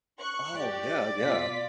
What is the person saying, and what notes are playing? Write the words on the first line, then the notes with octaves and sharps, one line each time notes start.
Oh, yeah, yeah.
C#6 F#6
G4 D5
B2 F4 B6